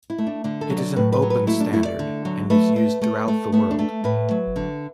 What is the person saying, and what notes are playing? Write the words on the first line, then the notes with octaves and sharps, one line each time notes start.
It is an open standard, and is used throughout the world.
E4
A3
D4
D3 D4
A4
F#3
D5
A2 B4
B4
F#3
B4
A3 E4
D4
A3 E4
D5
D3
F#3
A3 B4
A3
A3
A3
A3 B3
D4
A3
A2 B4
F#3
D3